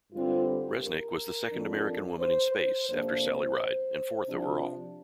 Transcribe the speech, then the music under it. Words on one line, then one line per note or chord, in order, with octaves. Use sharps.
Resnik was the second American woman in space, after Sally Ride, and fourth overall.
G2 D3 G3 C4 F4
G4
A#4
F2 F3 D4
C5
C5
F2 C3 A#3 D4 C5
C3 F3 D4